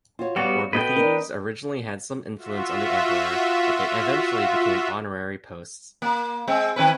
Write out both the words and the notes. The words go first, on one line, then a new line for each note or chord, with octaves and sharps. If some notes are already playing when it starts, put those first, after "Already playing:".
Logothetes originally had some influence on the emperor, but they eventually became honorary posts.
F4 F#4 C#5
G3 B3 F#4 F5
B3 F#4 A4 B4 D#5 G5
D4 A#4
F4 F#4 E5
A#3
G#3 C4
D#3 C4 B4